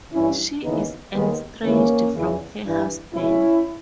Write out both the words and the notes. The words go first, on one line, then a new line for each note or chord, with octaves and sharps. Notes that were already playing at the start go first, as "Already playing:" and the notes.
She is estranged from her husband.
G2 E3 C#4 E4
D#2 C#3 E3 B3 D#4
D#2 D#3 G#3 B3
D#2 C#3 E3 A#3 C#4
E2 C#3 E3
G2 E3
C#2 B2 C#4 E4